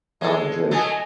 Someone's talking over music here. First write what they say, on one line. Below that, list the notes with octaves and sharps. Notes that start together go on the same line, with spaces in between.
um, like
G#3 A4
F#3 A3 A4 D#5 G#5